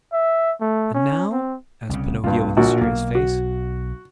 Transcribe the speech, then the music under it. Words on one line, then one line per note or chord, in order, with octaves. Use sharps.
"And now?" asked Pinocchio with a serious face.
E5
A3
C#4
C4
C2 C#3
C2 G2 A#3 F4
A#1 A#2 F#4
B1 A#3
F#4